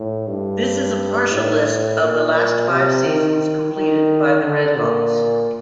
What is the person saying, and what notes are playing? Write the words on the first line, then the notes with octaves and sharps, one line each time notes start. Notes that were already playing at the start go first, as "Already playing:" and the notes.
This is a partial list of the last five seasons completed by the Redhawks.
Already playing: A2
G2
A2
A#2
C3
D#3
D#3
D3
A#2